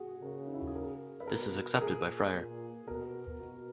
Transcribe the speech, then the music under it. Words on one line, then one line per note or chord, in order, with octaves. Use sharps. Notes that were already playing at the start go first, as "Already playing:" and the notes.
This is accepted by Frier.
Already playing: F#4 G#4
C#3 A#4
D#4
E4
F#4
G#4
A#4
B4
B2 A#4
A#4
A#2 G#4
A#2
B2 A#4
B2 F#4